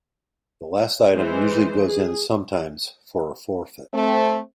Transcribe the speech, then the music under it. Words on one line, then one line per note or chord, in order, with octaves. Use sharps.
The last item usually goes in, sometimes for a forfeit.
E3 G#3 C5
G#4
A3 C4